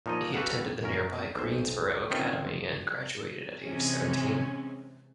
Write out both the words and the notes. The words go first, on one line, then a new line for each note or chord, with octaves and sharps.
He attended the nearby Greensboro Academy and graduated at age seventeen.
A#2 F3 D#4 C#5 D#5
F#4 G4 A4 B4 F5 F#5
F#2 C#4 A#4
B1 C5
D#3 C4 C#4 F4
C3 E3 G#3 C#4